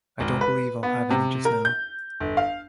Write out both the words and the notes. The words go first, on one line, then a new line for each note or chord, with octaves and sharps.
I don’t believe I’ll have any just now.
G#1
B4
B3
C3
A#4
G6
G1
F5